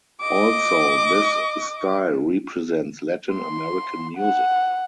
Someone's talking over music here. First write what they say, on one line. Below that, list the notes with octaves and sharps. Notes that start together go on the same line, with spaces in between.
Also this style represents Latin American music.
D#5 D6
C6
F#5